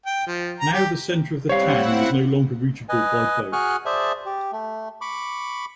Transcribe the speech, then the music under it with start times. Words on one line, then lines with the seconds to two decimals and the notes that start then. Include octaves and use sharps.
Now the centre of the town was no longer reachable by boat.
0.06 G5
0.28 F3
0.60 A#5
0.73 G4
1.49 G3 C4 E4 C5 C#5 F5 F#5
2.89 B4 D#5 G#5
3.53 F#4 G#4 G#5 C#6 F6 F#6
3.86 G#4 C5 D5 E5 A5
4.26 G4
4.52 A3
5.01 B5 C#6 D6